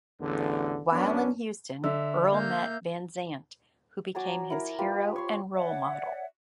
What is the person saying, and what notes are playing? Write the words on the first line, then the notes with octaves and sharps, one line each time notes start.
While in Houston Earle met Van Zandt, who became his hero and role model.
A1 E2 D3
F#2 B3 C#4 D4
D3 E5
A#3 G6
F#3 D5 G#5 A#5
E4 A#4
F4 G4 B4
C#5 C6
C#5 D5 E5 F#5